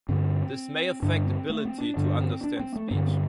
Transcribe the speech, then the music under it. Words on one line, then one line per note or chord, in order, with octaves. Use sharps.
This may affect ability to understand speech.
G2 D3 C4
G2 D3 D4
C4
A3
C4
D4
G2 D3 D4
C4
D4
C4
A3
G2 D3 C4
C4